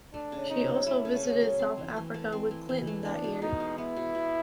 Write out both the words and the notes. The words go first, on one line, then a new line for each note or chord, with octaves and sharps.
She also visited South Africa with Clinton that year.
A3 D4
C#3
C#4 D#4
F#3
A3 E4
C#3
C#4
F#3
C4
E3
E3
A3
C4
E3
E3
A3
B3 D4
B2
B2 D#4
G#3
B3 E4
B2
B2